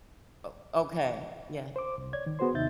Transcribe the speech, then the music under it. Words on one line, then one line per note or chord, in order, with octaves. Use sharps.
Oh, okay, yeah.
C5 D6
C2
C#5 D5 G#6
D#3
B3 F#4 G#4 C5 C6
D#2 C3 D#4 E5 G6 A6